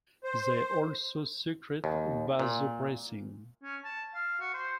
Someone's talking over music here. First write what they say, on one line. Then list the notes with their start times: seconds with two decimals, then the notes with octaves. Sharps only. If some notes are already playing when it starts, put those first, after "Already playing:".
They also secrete vasopressin.
0.24 C5
1.84 D#2
2.39 A#2
3.63 C#4
3.84 A5
4.14 F5
4.40 F#4
4.53 C5